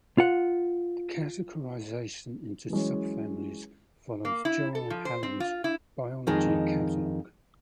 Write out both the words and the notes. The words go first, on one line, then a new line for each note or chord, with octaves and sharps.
The categorization into subfamilies follows Joel Hallan's Biology Catalog.
F4 F#5
E3 F#3 G#3 C#4
A#3
E4
A4
F3
C5
C4
F4
E4
F2 D#3 G#3